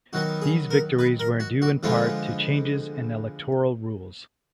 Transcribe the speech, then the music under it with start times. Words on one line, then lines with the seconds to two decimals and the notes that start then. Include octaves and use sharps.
These victories were due in part to changes in electoral rules.
0.13 D#3 F#3 B3 F#4
0.42 G#4
0.70 A#4
0.99 B4
1.19 A#4
1.40 F#4
1.62 F#4
1.83 D3 F3 G#3 B3 F4